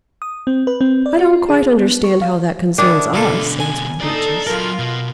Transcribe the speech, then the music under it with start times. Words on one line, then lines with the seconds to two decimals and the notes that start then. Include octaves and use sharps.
"I don't quite understand how that concerns us," answered the Beeches.
0.22 D#6
0.47 C4
0.67 B4
0.81 C4
1.06 D5
1.19 F#4
1.33 F4
1.49 G#4
1.78 B3
2.04 C#6
2.22 F5
2.78 D#3 D4 E4
3.14 B2 D3 E4 F4 A4
3.60 G#5
4.01 D#4 A4 D5 A#5
4.47 F#3 F4 A4 A#4
4.79 B2